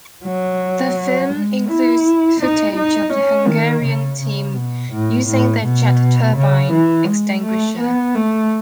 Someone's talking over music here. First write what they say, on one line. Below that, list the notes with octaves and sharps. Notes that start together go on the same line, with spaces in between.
The film includes footage of the Hungarian team using their jet turbine extinguisher.
F#3
G#3
E4
D#4
D#4
C#4
D#3
C#3
C#3
B2
A2
A2
B2
C#3
E3
G#3
A3
B3
A3